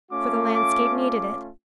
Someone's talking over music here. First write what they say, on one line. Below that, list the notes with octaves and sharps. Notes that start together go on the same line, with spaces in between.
For the landscape needed it.
A3 C#4 F4 D6
D6
D6